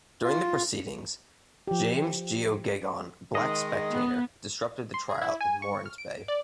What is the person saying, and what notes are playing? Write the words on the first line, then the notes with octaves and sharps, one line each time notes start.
During the proceedings, James Geoghegon, a black spectator, disrupted the trial in Morant Bay.
F4
F3 G4
D#3 G#3 D#5
B3
C6
G#4
E4
G#5
C#6
F6
D7
D5